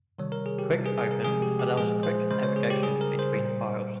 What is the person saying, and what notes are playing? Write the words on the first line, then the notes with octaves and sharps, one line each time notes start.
"Quick Open" allows quick navigation between files.
C3 D#3 G3 C#5
A#4
G#4
G4
C3 G3
G#4
G#4
A#4
C3 F3 G#3 G#4
G4
G4
A#2 F3 G#3 G#4
C5
C#3 G#3 C5
C#5
G#4
G4
C#3 G3 G#4
A#4
C5
A#2 G3